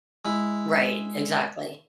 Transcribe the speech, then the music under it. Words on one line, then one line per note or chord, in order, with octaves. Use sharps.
Right, exactly.
G#3 E4